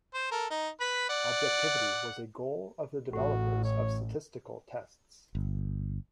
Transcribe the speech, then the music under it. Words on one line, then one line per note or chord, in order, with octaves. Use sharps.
Objectivity was a goal of the developers of statistical tests.
C5
A4 A#4
D#4
B4 B5
D5 F#5
A1 A2 F#4
C#5
G1